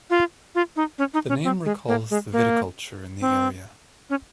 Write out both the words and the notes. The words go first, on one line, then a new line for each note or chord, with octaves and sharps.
The name recalls the viticulture in the area.
F4
F4
D#4
C#4
D#4
C#4
C4
G#3
A#3
G#3
A#3
C4
C#4